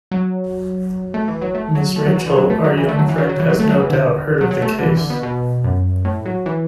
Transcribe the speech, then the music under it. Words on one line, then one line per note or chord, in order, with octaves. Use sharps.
Mrs. Rachael, our young friend has no doubt heard of the case.
F#3
A3
E3
F#3
A3
F#3
A3
F#3
E3
D3
F#3
A3
F#3
E3
A3
F#3
E3
F#3
F#3
E3
F#3
A3
F#3
E3
D3
F#3
F#3
A3
D3
E3
D3
B2
B2
F#2
A2
F#3
E3